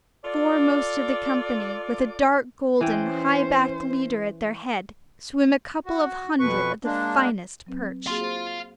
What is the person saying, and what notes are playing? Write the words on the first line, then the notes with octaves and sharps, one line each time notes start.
Foremost of the company, with a dark-golden, high-backed leader at their head, swim a couple of hundred of the finest perch.
F4 A4 D5
E3 C#4 C5 G5
F#4
F2 B2 B4 C#6
G#3 A#3 D4
F#3 C4 B4
A#3 F#4 G#4 F5 C6
C5